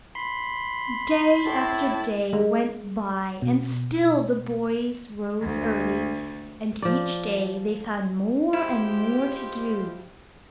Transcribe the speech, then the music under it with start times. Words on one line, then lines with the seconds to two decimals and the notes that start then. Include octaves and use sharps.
Day after day went by and still the boys rose early, and each day they found more and more to do.
0.15 B5 C6
1.46 A2 E4 A5
2.33 G#3
3.42 B2
5.42 D2
6.82 F3 D5
8.53 G#3 E4 F4 G4 C5